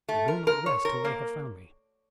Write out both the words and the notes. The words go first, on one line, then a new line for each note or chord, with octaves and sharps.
They will not rest till they have found me.
A3
A#4
A#4
C#5
A#4
A#3